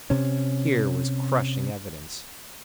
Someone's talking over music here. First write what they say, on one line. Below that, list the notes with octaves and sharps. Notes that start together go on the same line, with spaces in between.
Here was crushing evidence.
C3 C#4